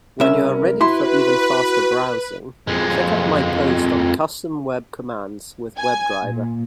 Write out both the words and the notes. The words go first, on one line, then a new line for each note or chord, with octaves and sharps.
When you are ready for even faster browsing, check out my post on Custom web commands with WebDriver.
C2 C#4 A#4 E5
E4 F#4 B4 C6
F2 G#3
G#5
A#2